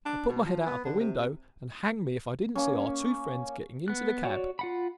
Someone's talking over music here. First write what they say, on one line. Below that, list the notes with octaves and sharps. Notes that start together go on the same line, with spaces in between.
I put my head out of the window, and, hang me if I didn't see our two friends getting into the cab.
D4
B2
F3
B3
D3
C3
C3
A#3 C#4
B3 F#6
F#4 C#5 D5
F4 F#5 B5